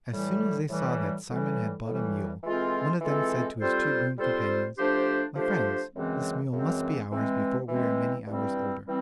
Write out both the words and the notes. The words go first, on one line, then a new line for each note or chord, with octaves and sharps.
As soon as they saw that Simon had bought a mule, one of them said to his two boon companions, 'My friends, this mule must be ours before we are many hours older.'
A2 E3 G3
A2 E3 G3
A2 E3 G3
A2 E3 G3
E3 G#3 C4 F4 A4
E3 G#3 C4 F4 A4
G3 C4 F4 A4 C5
G3 C4 F4 A4 C5
F3 A3 D4 G4 C5
F3 A3 D4 G4 C5
F#2 C#3 E3 G#3 C4
F#2 C#3 E3 G#3 C4
E3 G#3 C4
E3 G#3 C4
G2 E3 G3 C4
E3 G3 C4